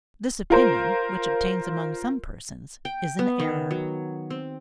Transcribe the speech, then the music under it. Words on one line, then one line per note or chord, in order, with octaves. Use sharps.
This opinion, which obtains among some persons, is an error.
F4 A#4 C5
G5
B3
D#3
F#3
C4